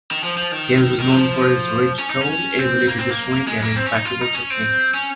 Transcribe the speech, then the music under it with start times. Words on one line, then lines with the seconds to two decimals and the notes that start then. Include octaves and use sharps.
Getz was known for his rich tone, ability to swing and impeccable technique.
0.11 D#3
0.24 F3
0.37 F3
0.52 D#3
1.00 D#3
1.12 F3
1.99 C#4
2.10 D#4
2.21 C#4
2.59 C4
2.88 A#3
2.99 C4
3.10 A#3
3.47 G#3
3.62 A#3
3.76 C4
3.86 C#4
3.96 D#4
4.05 F4
4.21 D#4
4.35 C#4
4.50 C4
4.94 C#4